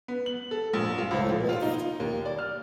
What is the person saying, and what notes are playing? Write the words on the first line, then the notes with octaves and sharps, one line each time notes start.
One ball left.
B3
F#7
A4
A#1
F4
C#2
F3
F4
D#4
D#2
D5
F6